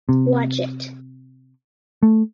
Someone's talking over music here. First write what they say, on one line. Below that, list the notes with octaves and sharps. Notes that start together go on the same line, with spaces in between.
Watch it.
C3
A3